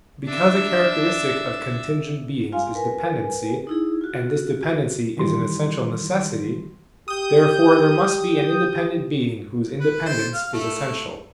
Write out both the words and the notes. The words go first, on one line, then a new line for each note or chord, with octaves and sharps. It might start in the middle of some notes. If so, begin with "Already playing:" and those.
Because a characteristic of contingent beings is dependency, and this dependency is an essential necessity, therefore, there must be an independent being whose independence is essential.
D4 E5
F4 F5 G#5 C6
A#4 B4 G#5
D#4 E4 G#4
F4 F#4
D#3 E3 G3 C6
G4 D#6 G6
B4
C5
F5
A3